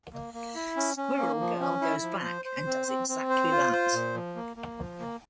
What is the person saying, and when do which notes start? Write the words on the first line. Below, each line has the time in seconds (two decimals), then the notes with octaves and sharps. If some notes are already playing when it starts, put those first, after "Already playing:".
Squirrel Girl goes back and does exactly that.
0.13 A#3
0.34 A#3
0.55 E4
0.76 C#4
0.97 C#4
1.19 A#3
1.40 F3
1.61 C#4
1.82 E4
2.03 F3
2.24 C5
2.45 C5
2.67 C4
2.88 C4
3.09 C4
3.30 C5
3.51 F4
3.72 C5
3.93 A#2
4.15 F3
4.36 A#3
4.57 A#3
4.78 F3
5.00 A#3